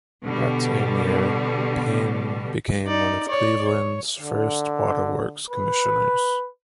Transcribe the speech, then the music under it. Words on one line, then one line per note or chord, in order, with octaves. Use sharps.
That same year, Payne became one of Cleveland's first water works commissioners.
B2 D3 G3
D#4 D5
C#5 D5
C#5
D3
B4